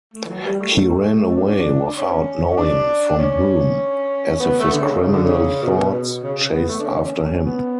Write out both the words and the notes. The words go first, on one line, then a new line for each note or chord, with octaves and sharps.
He ran away without knowing from whom, as if his criminal thoughts chased after him.
A3
E3
F#3
G3
A3
A3
D4
C#4
D4
D4
C#4
C#4
D4
C#4
B3
A3
D3
C#3
C#3
D3
C#3
B2
C#3
C#3
B3
A3
D4
C#4
B3